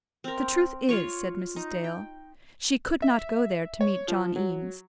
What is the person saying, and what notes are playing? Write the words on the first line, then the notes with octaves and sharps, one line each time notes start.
"The truth is," said Mrs. Dale, "she could not go there to meet John Eames."
C4 A#4
F4 C#5 C#6
D#4
G5
E5
C#5
F3
F#3